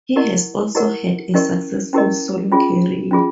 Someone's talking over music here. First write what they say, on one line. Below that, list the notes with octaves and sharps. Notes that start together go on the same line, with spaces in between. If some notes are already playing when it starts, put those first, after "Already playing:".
He has also had a successful solo career.
E4 G4 A#4 D#5 F#5
E4 G4 A#4 D#5 F#5
C#4 E4 G4 A#4 D#5
C#4 E4 G4 A#4 D#5
C#4 F4 G#4
C#4 F4 G#4